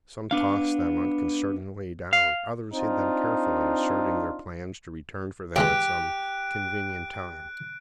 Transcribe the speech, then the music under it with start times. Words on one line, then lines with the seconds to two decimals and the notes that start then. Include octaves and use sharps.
Some tossed them unconcernedly down; others hid them carefully, asserting their plans to return for them at some convenient time.
0.31 B3 D4 F5
2.13 F5
2.74 C4 D4 D#4 F4
5.56 C#2 E3 G#3 G4 F#6 D7